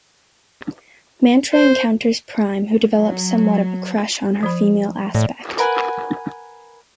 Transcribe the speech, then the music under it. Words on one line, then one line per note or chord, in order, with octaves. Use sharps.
Mantra encounters Prime who develops somewhat of a crush on her female aspect.
C5
F#3
F3 C5 B5
A2 D5
A#4 B4 F#5 G#5